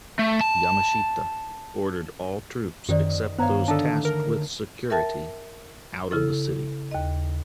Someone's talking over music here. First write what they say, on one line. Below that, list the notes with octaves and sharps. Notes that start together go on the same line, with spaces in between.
Yamashita ordered all troops, except those tasked with security, out of the city.
A3
A5
F#2 D#3 G4 C5 D5
G2 B3 C5 C#5 F5 A#5
D3 A3 D4 D#4 A4 A5
A#4
A#4 E5 G5 A5 A6
C#3 E4 A4
D#2 D#5